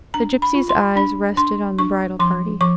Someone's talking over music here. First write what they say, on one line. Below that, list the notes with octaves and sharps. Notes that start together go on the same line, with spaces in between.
The gipsy's eyes rested on the bridal party....
D4 A#5
B5
F4
C6
D4 B5
D4 C6
D4 C#6
F3 C6
F3 C#6